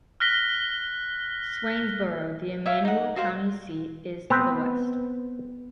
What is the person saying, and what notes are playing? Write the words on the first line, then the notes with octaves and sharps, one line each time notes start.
Swainsboro, the Emanuel County seat, is to the west.
F6 F#6 A#6 B6 G7
C#5 E5 F5 C#6
D#4 F#5
F#4 C5 F5 F#5
B3 C4 B4